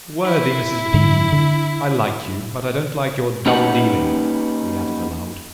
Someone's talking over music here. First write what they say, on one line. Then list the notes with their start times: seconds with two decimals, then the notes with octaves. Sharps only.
'Worthy Mrs. Dean, I like you, but I don't like your double-dealing,' he added aloud.
0.24 E4
0.94 G#2 D3
1.32 D3
3.46 A#3 C#4 D#4 G4 B4 F#5